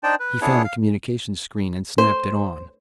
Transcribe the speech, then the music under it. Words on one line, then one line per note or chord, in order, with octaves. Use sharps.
He found the communications screen and snapped it on.
D4 D#4 C5 D5 G5 A5
B4
B3 D4 E4 G#4 C#5
F5
C5